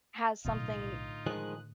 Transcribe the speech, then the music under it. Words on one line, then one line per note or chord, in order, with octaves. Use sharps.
has something
B1 A2 D3 D#4 F4
D#3 F3 G#3 D#6 F#6